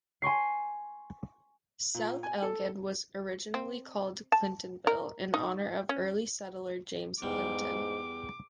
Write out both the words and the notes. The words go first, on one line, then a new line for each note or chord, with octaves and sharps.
South Elgin was originally called Clintonville, in honor of early settler James Clinton.
G#5 C6 C#6 C7
A#2
G#5
A4
C4
A5
A#4
D#4
C#4
E2 G#2 G3 D6